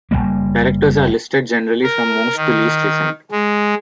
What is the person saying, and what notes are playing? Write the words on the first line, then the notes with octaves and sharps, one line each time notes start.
Directors are listed generally from most to least recent.
F#1 E2 G3 A#3
A#4
D#3
G#3